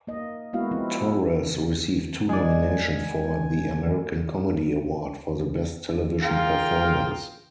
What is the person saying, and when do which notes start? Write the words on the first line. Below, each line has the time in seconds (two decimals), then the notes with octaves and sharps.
Torres received two nominations for the American Comedy Award for the Best Television Performance.
0.07 A#3 D#5
0.53 G#3 A#3 B3 E4 F#4 F5
0.71 F3 C4 E4
2.29 G#3 D5 G#5
6.22 F4 G#4 A#4 F5 G5